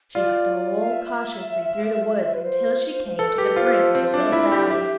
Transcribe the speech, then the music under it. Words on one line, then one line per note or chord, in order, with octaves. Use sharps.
She stole cautiously through the woods until she came to the brink of a little valley.
F4 D5
F5
E5
B4
C5
A4 B4
G4 B4
F4 C5
C4 C5
D4
E5
E4
D5
G4
G4 E5